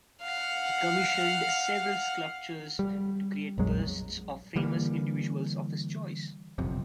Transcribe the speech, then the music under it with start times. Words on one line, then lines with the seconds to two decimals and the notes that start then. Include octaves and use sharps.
He commissioned several sculptors to create busts of famous individuals of his choice.
0.22 F5 F#5
2.79 G3
3.58 A#1 F2 F#3 G#3
4.56 D3 E3 G3 A#3
6.58 F#1 B1 F2 C3